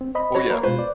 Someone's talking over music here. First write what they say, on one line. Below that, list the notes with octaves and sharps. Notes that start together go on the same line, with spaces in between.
Oh, yeah.
C4
C5 D#5 B5
F#4 C#5
A#3 B4 C#5
B2 G#3 F4 B4 C5
D5